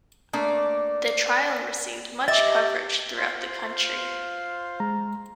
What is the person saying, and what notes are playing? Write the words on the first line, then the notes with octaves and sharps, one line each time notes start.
The trial received much coverage throughout the country.
A3 A#3 D4
G4 D#5 E5 D6 A6
F4 C5 F5
G#3 A#5